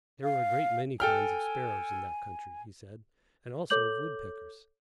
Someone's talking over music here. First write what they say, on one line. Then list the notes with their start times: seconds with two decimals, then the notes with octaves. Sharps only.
There were a great many kinds of sparrows in that country, he said, and also of woodpeckers.
0.24 F5
1.00 A4 G5 G#5 F6
3.70 A4 C#5 D6 G6 F#7